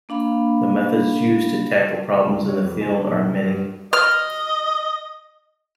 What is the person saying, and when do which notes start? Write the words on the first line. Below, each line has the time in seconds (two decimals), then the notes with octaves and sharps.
The methods used to tackle problems in this field are many.
0.09 A#3 D4 F5 B5
2.25 C#2
2.48 C#5
2.64 F2
2.81 G#3
2.99 D4
3.11 B1
3.24 C2
3.44 G2
3.93 D#5 F6